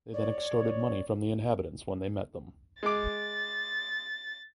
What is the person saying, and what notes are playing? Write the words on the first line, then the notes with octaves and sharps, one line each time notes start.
They then extorted money from the inhabitants when they met them.
C#5 D5
G#3 D6 A6